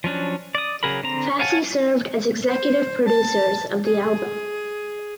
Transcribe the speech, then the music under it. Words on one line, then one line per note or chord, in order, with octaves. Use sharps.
Fassie served as executive producers of the album.
F3 F#3 C#4 D4
D5 D#6
C#3 F#3 G#4 A#4 B5
D3 C4 A#5
C#5 F5 F#5 G#5 A5
C5
A5
G#4